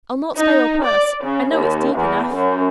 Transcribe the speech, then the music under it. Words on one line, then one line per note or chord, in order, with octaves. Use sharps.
I'll not spare your purse,--I know it's deep enough.
D#4
D5
C#3
D#2
E2
F#2